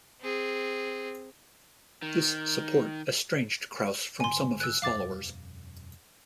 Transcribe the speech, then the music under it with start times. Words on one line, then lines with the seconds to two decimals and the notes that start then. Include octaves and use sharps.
This support estranged Kraus from some of his followers.
0.21 C4 G#4
2.02 D#3
4.20 G#1 D3 G#5 C6
4.60 E6 F#6
4.82 E1 F#2 F5 D6 A6